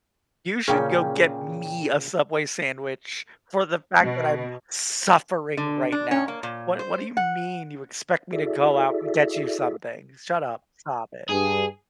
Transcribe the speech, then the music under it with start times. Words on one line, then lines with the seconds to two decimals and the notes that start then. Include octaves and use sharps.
"You should go get me a Subway sandwich for the fact that I'm suffering right now, what what do you mean you expect me to go out and get you something? Shut up, stop it."
0.68 A#2 C#3 C#4 G#4 G5
3.98 B2
5.57 D3
5.92 D4
6.11 C#4
6.28 A#3
6.43 A#2
6.79 C5
7.17 F#5
8.33 E4 F#4 G#4 A4 D5 E5
11.29 G2 G#4